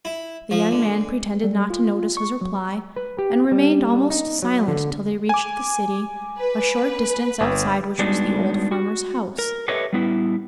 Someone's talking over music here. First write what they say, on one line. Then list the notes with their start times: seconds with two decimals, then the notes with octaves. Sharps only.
The young man pretended not to notice his reply, and remained almost silent till they reached the city, a short distance outside which was the old farmer's house.
0.05 E4
0.51 F3
0.71 D3
1.44 G3
1.70 F4
2.17 C#6
2.41 F#3
2.96 B4
3.19 G4
3.52 G3
4.10 D#4
4.42 F#3
4.68 D3
5.29 G#5 D6
6.38 B4
7.40 G1
7.99 G3 G#3 B3 D4 D#4 F#4
8.72 F#4
9.39 A#4
9.68 G4 A4 B4 C#5 D#5 E5
9.93 G3 B3 E4